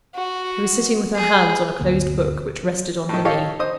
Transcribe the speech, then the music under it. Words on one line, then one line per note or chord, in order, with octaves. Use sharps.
She was sitting with her hands on a closed book which rested on her knee.
F#4
G#4
D2 G2 B2 D3 A#3
F#3
A2 D#3
D#4 G4 A4 C#5 F5
D#4 C5 D#6